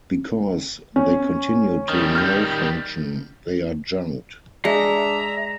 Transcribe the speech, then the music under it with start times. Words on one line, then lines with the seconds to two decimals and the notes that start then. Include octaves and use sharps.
Because they continue to malfunction they are junked.
0.96 C#4
1.89 D#3 G3
2.15 F6 G6
4.65 G#3 D4 E5 A#5